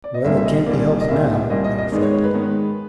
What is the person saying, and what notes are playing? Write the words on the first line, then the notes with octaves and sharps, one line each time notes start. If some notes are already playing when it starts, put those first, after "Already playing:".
"Well, it can't be helped now," I reflected.
D5
D#5
C2 A#2 G3 A#3 E5
E5
D#5
C2 A#2 G3 A#3 D5
D#5
C2 A#2 G3 A#3 E5
C2 A#2 G3 A#3 D#5
D#5
D#5
G#2 D#3 G#3 B3 D5
C#5
C#5
B4
G#2 D#3 G#3 B3